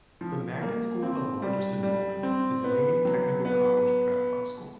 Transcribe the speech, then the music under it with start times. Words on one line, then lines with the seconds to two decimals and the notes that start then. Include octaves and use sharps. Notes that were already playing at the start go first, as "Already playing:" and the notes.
The magnet school with the largest enrollment is Lane Technical College Prep High School.
0.21 F3
0.61 A#3
1.03 C4
1.42 G3
1.83 G3
2.23 C4
2.64 B3
3.05 F#3
3.45 B3